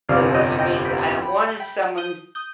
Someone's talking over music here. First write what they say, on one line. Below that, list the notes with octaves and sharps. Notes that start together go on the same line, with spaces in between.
There was a reason, I wanted someone
G1 F2 C3 D5 F5
D#5 G5
D#5 G5
G5 B5
G5 B5
G5 B5
D#6 G6
D#6 G6